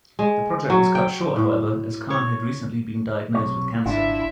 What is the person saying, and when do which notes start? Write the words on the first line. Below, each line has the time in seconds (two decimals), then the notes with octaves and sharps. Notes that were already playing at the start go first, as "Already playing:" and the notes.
The project was cut short, however, as Karn had recently been diagnosed with cancer.
0.19 G#3
0.70 F#3
0.95 G5
1.36 A2
2.10 C#5
3.34 B1 C3 C#5
3.86 G#1 D4 E4 F4 E5